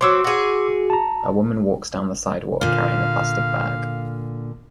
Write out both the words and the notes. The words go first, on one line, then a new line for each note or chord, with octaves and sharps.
A woman walks down the sidewalk carrying a plastic bag.
F#3 C4 C6 D6 E6
F#4 G#4
A5 A#5
A#2 D3 F5